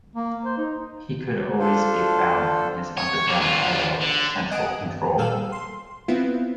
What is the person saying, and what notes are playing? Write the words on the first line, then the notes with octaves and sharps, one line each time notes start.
He could always be found in his underground hideout, Central Control.
A#3
C5
D#4
D4 F4 A4 C5
C#5
F#3 A#3
D3 F4
D3
D#5 F#5 G#5 D#6 D7
G2
A#2 G3 G#4 A4 F5 E6
C6
B3 C4 E4 F4